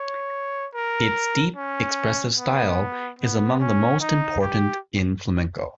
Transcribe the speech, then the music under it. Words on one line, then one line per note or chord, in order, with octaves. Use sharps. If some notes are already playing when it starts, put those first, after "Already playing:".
Its deep, expressive style is among the most important in flamenco.
Already playing: C#5
A#4
C#4
B3
B3
C#4
D#4
G4